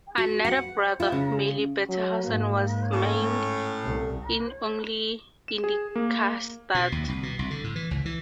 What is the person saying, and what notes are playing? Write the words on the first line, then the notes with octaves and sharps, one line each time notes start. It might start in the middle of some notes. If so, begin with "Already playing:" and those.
Another brother, Merle Bettenhausen, was maimed in his only Indy Car start.
F#4
F#5
E4 F4
C#3
F#3
G#2 A#3
A2 C#4
C2 A4
E7
G#4
A#3
B2
D#2
C2
B2
C2
D3
A2
E3
C#2
E3